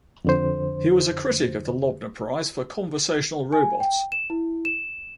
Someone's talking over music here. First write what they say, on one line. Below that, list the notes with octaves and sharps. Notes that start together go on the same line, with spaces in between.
He was a critic of the Loebner Prize for conversational robots.
F2 D3 C5
G#5
G5
E7
E4
E7